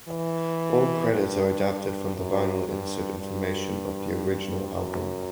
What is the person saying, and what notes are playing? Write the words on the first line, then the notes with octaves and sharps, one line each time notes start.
All credits are adapted from the vinyl insert information of the original album.
E3
G2
F#2
G2
G2
F#2